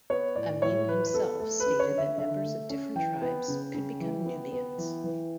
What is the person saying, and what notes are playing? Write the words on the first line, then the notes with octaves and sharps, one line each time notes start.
Amin himself stated that members of different tribes could become Nubians.
B3 C#5
A2 D5
A2 C#5
E3 B4
B4
B3 A4
A3 A4
B4
C#4
C#5
D3
E5
D3 E5
A3
C#4
E3 G5
B3
C#3
C#3
E3
B3
B3
E3
E3